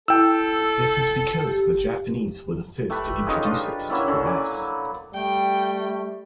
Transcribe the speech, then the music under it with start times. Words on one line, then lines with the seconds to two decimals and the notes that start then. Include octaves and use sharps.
This is because the Japanese were the first to introduce it to the West.
0.08 E4 A4 G5 E6
1.47 G4
2.90 A3 G4 B4 D5
3.26 C#4 D#4 F4 G#4
3.43 D4 F4 G4 C#6
3.90 F#3 A#3 C#4 E4
4.06 D3 C#4 E5
4.25 D5 G#5
5.14 G3 A3 G5